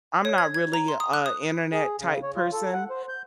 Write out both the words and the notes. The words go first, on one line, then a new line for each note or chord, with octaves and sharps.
I'm not really a internet type person,
C#5
G#6
G#6
A#5
C6
D#6
F#6
D#6
G#4
C#3
C#5
F4
A4
F#5
C5
G6